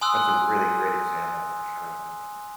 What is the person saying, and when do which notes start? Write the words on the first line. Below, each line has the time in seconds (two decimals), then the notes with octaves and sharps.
That's a really great example for sure.
0.01 G#5 C6 D#6 E6 F#6